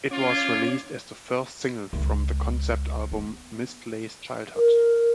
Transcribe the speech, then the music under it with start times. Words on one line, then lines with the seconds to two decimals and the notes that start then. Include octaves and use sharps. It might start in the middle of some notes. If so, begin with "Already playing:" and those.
It was released as the first single from the concept album "Misplaced Childhood".
0.11 C#4 F4 D6 G#6
1.93 C#2
3.11 B3
4.56 A#4